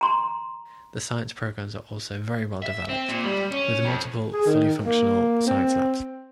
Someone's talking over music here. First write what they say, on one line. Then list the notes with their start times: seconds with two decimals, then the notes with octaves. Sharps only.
The science programs are also very well developed, with multiple fully functional science labs.
0.01 A#5 C6
2.62 E5
2.89 C4
3.08 A#2
3.24 G3
3.51 C#4
3.85 F2
4.33 G#4
4.46 D#3
4.85 A#3
5.46 C4